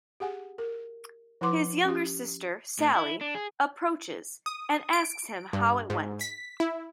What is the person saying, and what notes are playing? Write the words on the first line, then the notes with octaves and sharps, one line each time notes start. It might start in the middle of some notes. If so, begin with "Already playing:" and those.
His younger sister, Sally, approaches and asks him how it went.
G4 G#4 F#5 G#5
A#4
F3 E4 B4 F#5 C6 D6
C#4 G4
A2
E4
D4
G#4
D#6
D7
G2
G#2
B6
E4